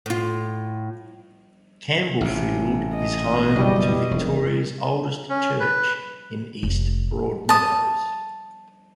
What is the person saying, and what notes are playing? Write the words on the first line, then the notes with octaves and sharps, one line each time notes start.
Campbellfield is home to Victoria's oldest church in east Broadmeadows.
A2 F4
A1 C3
D#5
F#1 B2 E3 G3
E1 F2 D#3
C#4
B4
F1
A5 D#6